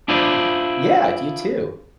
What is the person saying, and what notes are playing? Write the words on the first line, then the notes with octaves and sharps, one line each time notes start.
Yeah, you, too.
D4 E4 F4 G#4 C5 D5